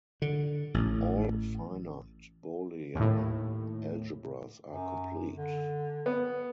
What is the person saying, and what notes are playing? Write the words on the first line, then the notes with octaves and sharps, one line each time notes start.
All finite Boolean algebras are complete.
D3
A1
D#2 A2
F#2
D3
B3